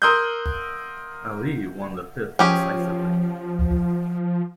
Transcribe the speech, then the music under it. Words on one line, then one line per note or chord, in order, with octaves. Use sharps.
Ali won the fifth decisively.
A#4 C6 D#6 E6 F#6 G6
F3 C#4 G4 G#4